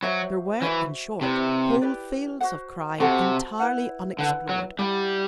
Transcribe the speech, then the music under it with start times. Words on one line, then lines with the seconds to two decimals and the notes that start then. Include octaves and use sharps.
There were, in short, whole fields of crime entirely unexplored.
0.02 F#3 F#4 C5 E5
0.62 E3 F#4 C5 E5
1.21 C3 E4 G4 B4 D5
1.81 E4 G4 B4 D5
2.41 F#4 A4 C5 F#5
3.00 C3 F#4 A4 C5 F#5
3.59 E4 B4 F#5
4.19 D3 E4 B4 F#5
4.49 F#3
4.78 G3 E4 G4 D5 F#5